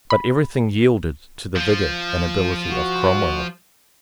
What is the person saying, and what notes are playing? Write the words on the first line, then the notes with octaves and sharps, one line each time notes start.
But everything yielded to the vigour and ability of Cromwell.
B5
F3
F#4